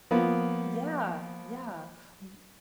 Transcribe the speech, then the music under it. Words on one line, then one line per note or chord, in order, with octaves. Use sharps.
Yeah, yeah, w
F3 A#3 B3